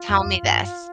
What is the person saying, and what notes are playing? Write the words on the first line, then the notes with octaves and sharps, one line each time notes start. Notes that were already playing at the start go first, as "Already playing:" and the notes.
tell me this."
Already playing: F4
F2
F2
G2